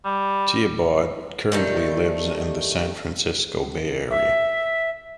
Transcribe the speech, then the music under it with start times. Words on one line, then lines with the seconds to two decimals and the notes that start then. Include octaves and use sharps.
Thiebaud currently lives in the San Francisco Bay Area.
0.05 G3
1.52 D#3 G3 A3
4.10 E5